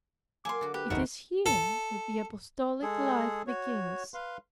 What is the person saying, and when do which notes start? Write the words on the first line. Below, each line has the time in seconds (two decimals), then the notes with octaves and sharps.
It is here that the apostolic life begins.
0.45 F#3 A#3 G#5 C6 D6
0.61 D3 F#4
0.74 G4 B4
0.90 F#1 D#2 A2 F3 G#3 D#4 F#4 A#4
1.46 A4
2.82 G#3 G#4 A4
3.47 F#4 C#5
4.14 B4 F5 C6